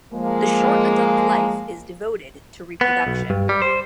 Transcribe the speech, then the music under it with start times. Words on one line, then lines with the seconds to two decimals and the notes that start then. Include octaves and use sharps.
The short adult life is devoted to reproduction.
0.13 F3 G#3 A#3
2.81 B3
3.07 B1
3.30 G2
3.49 G3
3.62 C5